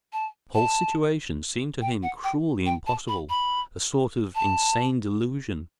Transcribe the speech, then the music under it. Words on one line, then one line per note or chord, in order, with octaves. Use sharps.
The whole situation seemed to him cruelly impossible,--a sort of insane delusion.
A5
A5
G5
F#5
G5
G5
A5
B5
B5
A5